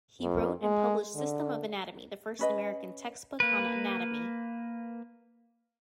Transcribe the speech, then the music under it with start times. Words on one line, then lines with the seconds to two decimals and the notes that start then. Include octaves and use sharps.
He wrote and published "System of Anatomy", the first American textbook on anatomy.
0.22 F2
0.62 G#3
1.15 D3
2.39 C#4 B4 D#5
3.40 A#3 B4